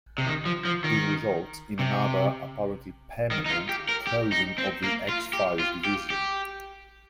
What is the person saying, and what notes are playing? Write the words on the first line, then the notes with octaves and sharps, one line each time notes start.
This results in another, apparently permanent, closing of the X-Files division.
C3
D#3
F3
F3
D#3
C3
D#3
D#4
F4
G4
A#4
G4
D#4
C4
A#3
F4
G4
F4
G4
G4